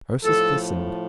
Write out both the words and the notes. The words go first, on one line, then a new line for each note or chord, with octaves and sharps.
Ursus listened.
A2 F3 A4